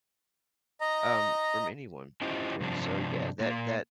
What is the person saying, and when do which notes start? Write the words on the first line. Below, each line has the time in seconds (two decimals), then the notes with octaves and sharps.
um, from anyone. And so, yeah, that that,
0.81 D#5 A#5
2.22 C#4 E4 F4 G4 C5 D#5
2.61 G2 C3 F3 C4 D4
3.40 A#2 A#3